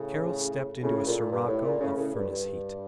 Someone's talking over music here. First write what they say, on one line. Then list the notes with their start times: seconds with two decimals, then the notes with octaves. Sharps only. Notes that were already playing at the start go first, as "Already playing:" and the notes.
Carol stepped into a sirocco of furnace heat.
Already playing: A2 C#3
0.82 A2 C#3
1.07 A#2
1.31 G2
1.48 A2
1.64 A#2
1.80 A2 C#3
1.97 A2 C#3
2.14 G2
2.30 G2